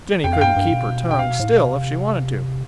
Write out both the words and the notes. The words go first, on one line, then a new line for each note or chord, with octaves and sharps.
Jenny couldn't keep her tongue still if she wanted to.
F2 G5
F5
G2 G5
G2
B2
G5
F5
A2
B2
C3